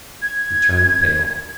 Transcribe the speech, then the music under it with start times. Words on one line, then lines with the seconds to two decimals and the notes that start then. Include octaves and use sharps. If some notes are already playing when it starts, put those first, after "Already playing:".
He turned pale.
0.22 G#6